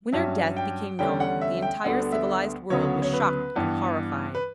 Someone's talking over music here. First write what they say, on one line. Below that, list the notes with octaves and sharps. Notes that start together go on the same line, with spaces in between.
When her death became known, the entire civilized world was shocked and horrified.
G2 F#3 C#4 E5
G5
E2 D3 G3 C#4 G5
F#5
E5
G5
D2 D3 G3 B3 F#5
E5
D2 C#3 F#3 B3 C#5
C#5
B4
G2 E3 B3
B4